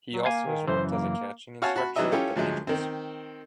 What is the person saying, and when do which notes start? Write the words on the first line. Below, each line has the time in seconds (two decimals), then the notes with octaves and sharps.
He also has worked as a catching instructor with the Angels.
0.14 F#3
0.26 A#3 F5 G#5
0.46 D#3
0.68 F#2 C#3 E3 C5
0.90 A#3
1.62 F#4 C#5 F5 F#5 G#5 A5
1.76 F#4 A5 B5
1.96 E3 F#3 G3 D#4 D#5 E5
2.12 C#4 E4 F4 G4 A4
2.36 D2 F3 F#3 G#3
2.67 D#3 C4